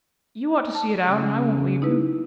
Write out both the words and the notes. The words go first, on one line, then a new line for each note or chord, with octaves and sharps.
You ought to see it out, and I won't leave you.
A5
C#3
D#4 E4 B4